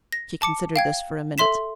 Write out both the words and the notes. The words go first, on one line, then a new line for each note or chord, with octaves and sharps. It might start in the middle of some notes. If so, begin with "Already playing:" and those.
She considered this for a minute.
A#6
A5 D6 C#7
F5 G5 G#6
A4 E5 C6 B6 E7